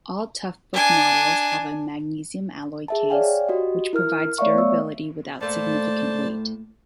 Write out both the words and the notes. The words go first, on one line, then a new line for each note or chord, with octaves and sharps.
All Toughbook models have a magnesium alloy case, which provides durability without significant weight.
D4 G#5
G#4 E5 A5
C#5 D5 F5 G5 G#5
F#4 G4 D#5
E4 A#4 F6
A3 C#5 D5 E5 F5 C#6
B3 E6
A2 A3 A#3 C5 D5 A5